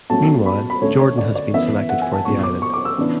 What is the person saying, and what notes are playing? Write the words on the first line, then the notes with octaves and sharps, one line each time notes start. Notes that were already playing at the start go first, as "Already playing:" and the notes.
Meanwhile, Jordan has been selected for the island.
B2 F#3 A3 C#4 A5
B5
B5
D2 D3 A3 C#4 C#5
C#5
D5
D5
F#2 E3 B3 E5
F#5
G#5
A5
C#2 B2 F#3 C#6
D6
C#6
D6
E6
C#3 E3 B3 D4